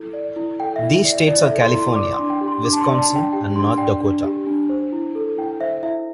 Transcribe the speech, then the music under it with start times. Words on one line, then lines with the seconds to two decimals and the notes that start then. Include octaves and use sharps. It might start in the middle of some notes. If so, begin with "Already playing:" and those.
These states are California, Wisconsin, and North Dakota.
Already playing: E4 A4
0.13 D5
0.36 E4
0.59 A4 G5
0.76 E5
0.83 E4
0.93 E5
1.05 D5
1.10 E5
1.27 E4 D5
1.44 E5
1.50 A4
1.62 C6
1.73 E4
1.79 C6
1.95 D5 D6
2.13 C6
2.19 D4
2.30 G5
2.41 G4
2.48 C6
2.64 D4 D6
2.73 A5
2.81 C6
2.88 D5
2.98 A5
3.10 D4
3.16 G5
3.33 G4 G5
3.56 D4 C6
3.78 D5 G5
4.01 D4
4.25 G4
4.47 D4
4.69 C5
4.92 E4
5.15 A4
5.37 E4 G5
5.61 C5 E5
5.83 E4 E5